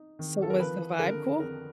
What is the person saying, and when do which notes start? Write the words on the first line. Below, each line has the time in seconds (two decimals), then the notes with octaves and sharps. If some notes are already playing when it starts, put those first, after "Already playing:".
So was the vibe cool?
Already playing: D#4
0.19 D#3
0.42 A4
0.50 A#4
0.59 F3 B4
0.99 D3 A#4
1.40 F2 A#4